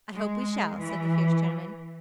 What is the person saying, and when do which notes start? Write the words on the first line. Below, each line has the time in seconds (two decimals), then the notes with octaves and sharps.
'I hope we shall,' said the fierce gentleman.
0.14 G#3
0.78 E3